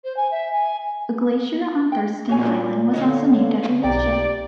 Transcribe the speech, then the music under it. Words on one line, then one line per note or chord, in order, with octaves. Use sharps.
A glacier on Thurston Island was also named after the ship.
C5
G#5
E5
G#5
G5
A#2 F#4 C#5 G#5
D3 B3 D#4 F#4 C#5 D#5 F5
B1 D#4 G4 D5 G5 A#5